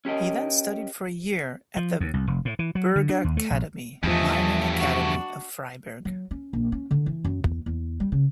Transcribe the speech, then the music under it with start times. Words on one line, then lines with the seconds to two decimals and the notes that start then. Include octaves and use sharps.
He then studied for a year at the Bergakademie, Mining Academy of Freiburg.
0.05 C#4 G4 A#4 D#5
1.77 F3
2.00 D#2
2.14 C2
2.27 F1
2.45 A2
2.59 E3
2.75 F#3
2.96 D3
3.09 D4
3.24 D#2
3.37 A3
3.51 A#1
4.04 E2 G2 F3 A3 D#5 E5 G#5
4.73 D4 F#4
6.05 F#3
6.31 C#4
6.53 A#1
6.72 C#4
6.91 D3
7.06 E3
7.24 F#2
7.45 E2
7.66 E2
8.00 G3
8.12 C#3